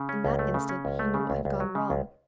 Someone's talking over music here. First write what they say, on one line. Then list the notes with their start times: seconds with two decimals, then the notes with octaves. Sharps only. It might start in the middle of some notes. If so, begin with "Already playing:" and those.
In that instant, he knew what had gone wrong.
Already playing: C#3
0.09 C#4
0.25 C#2
0.39 A3
0.54 C#3
0.69 C#4
0.85 C#2
0.99 A3
1.14 C#3
1.30 C#2
1.45 C#2
1.60 F#3
1.75 C#3
1.90 C#2